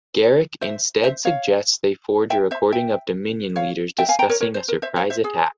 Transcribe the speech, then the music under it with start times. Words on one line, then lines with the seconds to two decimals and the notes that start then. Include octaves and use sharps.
Garak instead suggests they forge a recording of Dominion leaders discussing a surprise attack.
0.61 C5 E5
1.04 C5 E5
1.25 C#5 F5
2.30 E5 G5
2.51 C5 E5
2.72 E5 G5
3.56 C#5 F5
3.98 E5 G5
4.09 F5 G#5
4.19 G5 A#5
4.29 A#4 C#5
4.41 A#4 C#5
4.54 C5
4.68 A#4
4.82 C5 E5
4.96 C#5 F5
5.10 C5 E5
5.24 G#4